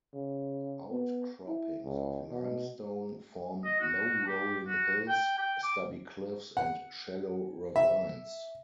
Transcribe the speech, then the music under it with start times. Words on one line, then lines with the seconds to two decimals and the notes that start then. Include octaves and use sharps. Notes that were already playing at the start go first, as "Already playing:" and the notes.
Outcroppings of limestone form low rolling hills, stubby cliffs, and shallow ravines.
0.14 C#3
0.91 B3
1.48 E4
1.85 C#2
2.31 B2
3.65 D#5
3.80 F#4
4.27 G4
4.68 F#4
5.09 G5
5.38 G5
5.63 D6
6.57 F#5
7.76 E5